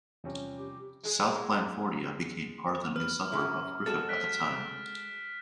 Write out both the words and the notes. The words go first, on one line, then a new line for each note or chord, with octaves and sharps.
South Blandfordia became part of the new suburb of Griffith at the same time.
E2 C3 F3 G3 C#4
G4
G#3 G#4
B4 F6
F#2 C#3 E4
G#3 F#4 A4 A6 E7
F#6 B6 D7